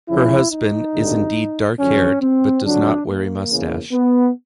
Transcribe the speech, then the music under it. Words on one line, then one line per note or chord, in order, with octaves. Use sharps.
Her husband is indeed dark haired but does not wear a mustache.
F2 C#3 F3 E4
D#4
G#1 G2 D3
F#2 D3 F3 C#4
C4
F2 D3 F#3 D4
A#3
E2 C#3 E3
B3